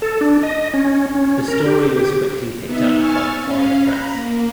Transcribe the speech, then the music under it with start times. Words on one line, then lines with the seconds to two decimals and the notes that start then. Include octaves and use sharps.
The story was quickly picked up by the foreign press.
0.02 A4
0.21 D4
0.43 D#5
0.74 C#4
1.15 C#4
1.48 A#4
1.66 G4
1.97 G4
2.64 B3 D#4 E5
2.94 G#5 C#6 E6 F6 A6
3.39 C#4 F5
3.81 A#5 B5
4.13 A#3